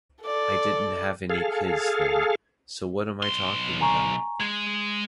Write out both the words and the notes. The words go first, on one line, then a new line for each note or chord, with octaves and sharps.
I didn't have any kids then ... so what am I talking about?
A4 D5
G#4 A4 F5
B1 C6
G#5 A#5 C#6
G#3 G#6